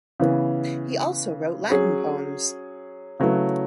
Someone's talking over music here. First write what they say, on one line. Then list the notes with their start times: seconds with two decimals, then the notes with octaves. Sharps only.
He also wrote Latin poems.
0.20 C#3 E3 B3
1.70 F#3 C#4 G#4
3.20 C#3 F#3 A3 E4 B4